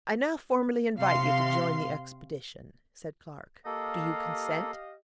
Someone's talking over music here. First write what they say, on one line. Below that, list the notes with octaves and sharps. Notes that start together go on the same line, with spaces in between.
'I now formally invite you to join the expedition,' said Clark: 'do you consent?'
C3 F5 C6
A#3 G4 A4 D#5 F5